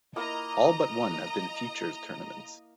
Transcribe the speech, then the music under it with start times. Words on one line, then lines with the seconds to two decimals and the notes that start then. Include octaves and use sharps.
All but one have been Futures tournaments.
0.16 A#3 E4 A#4 D#5 A#5